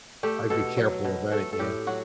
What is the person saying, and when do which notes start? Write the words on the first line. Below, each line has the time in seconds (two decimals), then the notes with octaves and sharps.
I'd be careful about it, yeah.
0.23 A3 G4
0.50 B2 A4
0.77 F#3
1.05 B2
1.32 A3 A4
1.53 A4
1.59 A2 G4
1.87 F#3 F#4